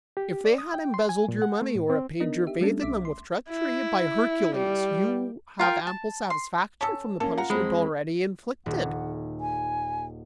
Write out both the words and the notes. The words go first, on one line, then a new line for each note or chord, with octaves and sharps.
If they had embezzled your money or repaid your faith in them with treachery, by Hercules, you have ample satisfaction from the punishment already inflicted!
G4
D5
D#6
G5
C6
G#5
A#2
F#5
A3
A2
C4
B3 D4 D#4 A#4 D#5
G4 E5
G3 A3 B3 C#4 D4 A4
B1 E5 D6 B6
C6
E4
G3
F4 A#4 G5
A5
C6
C#4 A4 A5 E6
A#3 C#4 A4
F4 F#5 A#5
F2 G#3 C4 B5
D#1 F#5
G#5